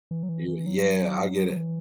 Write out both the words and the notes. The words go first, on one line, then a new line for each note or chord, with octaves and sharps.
You yeah, I get it.
E3
F#3
E3
E3
F#3
F#3
E3